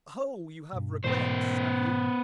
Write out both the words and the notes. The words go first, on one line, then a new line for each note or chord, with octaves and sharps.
"Oh, you have regrets, have you?"
G2 B2
G#2 B2 E3 B3 C5